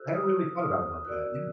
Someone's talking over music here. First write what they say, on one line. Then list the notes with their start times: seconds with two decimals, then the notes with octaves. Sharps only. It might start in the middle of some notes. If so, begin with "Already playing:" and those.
I hadn't really thought about it like that. Yeah.
Already playing: F#4 A4 C5 E6 F#6
0.14 D#6 F6
0.59 D#6 F6
1.05 F#4 A#4 D5 E6 F#6